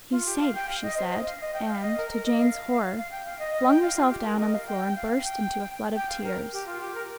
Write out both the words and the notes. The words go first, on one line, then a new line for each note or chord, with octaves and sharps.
'HE'S safe!' she said, and, to jane's horror, flung herself down on the floor and burst into floods of tears.
F4
G4
F5
G5
F5
D#5
C5
D#5
F5
D#5
G5
F5
D#5
A#4
A#4
D#5
F5
F5
G5
F5
D#5
D#5
G5
F5
F4
G4
A#4
D#5
F5
G5
F5
G5
G5
F5
A#4
G4
F4
G4
A#4